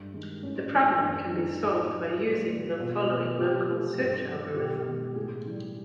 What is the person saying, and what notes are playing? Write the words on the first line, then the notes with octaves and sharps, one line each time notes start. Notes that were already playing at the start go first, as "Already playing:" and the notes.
The problem can be solved using the following local search algorithm.
Already playing: G2
D#3 G#3
A2 C#4
E3 G#3 D4
F#2 D4
D#3 G#3 D#4
A2
F#3 A3
A#2
G3
B2 F4
F#3 A3 F#4
C3 G4
F3 A3
G2
D#3 F#3
B2 G4
G#3
A2 G#4
E3 G3